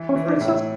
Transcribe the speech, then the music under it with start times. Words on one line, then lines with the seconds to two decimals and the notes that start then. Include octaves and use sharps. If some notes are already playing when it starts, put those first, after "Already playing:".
for instance,
Already playing: E3
0.09 C#4
0.16 E3
0.29 D4
0.41 A2
0.48 E4